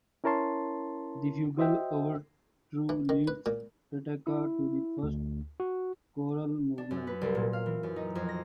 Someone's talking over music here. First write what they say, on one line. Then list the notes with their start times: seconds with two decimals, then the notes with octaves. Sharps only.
The fugal overture leads attacca to the first choral movement.
0.24 C#4 E4 A#4 C#5 A5 C6
1.57 F#4 C5 D#5 E5 G5
2.89 E3
3.09 D#3
3.28 B4
3.46 A#2
4.27 E4
5.03 D2
5.60 F#4
6.78 D4
6.91 F#2
7.07 B4
7.21 C2
7.35 A#2
7.53 F5
7.66 E3
7.83 F#2
7.96 D#4
8.15 F2
8.29 A#6